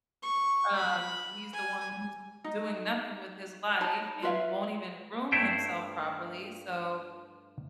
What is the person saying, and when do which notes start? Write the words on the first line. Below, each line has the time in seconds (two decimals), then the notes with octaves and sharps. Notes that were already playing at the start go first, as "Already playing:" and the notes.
um, he's the one who's doing nothing with his life and won't even groom himself properly, so,
0.23 C#6
0.76 B5
1.53 G#5
2.44 D#4
3.80 D#4 C#5 A5 B5
4.22 F4 B4 E5 F5
5.31 G2 A3 E4 C5 E5 G5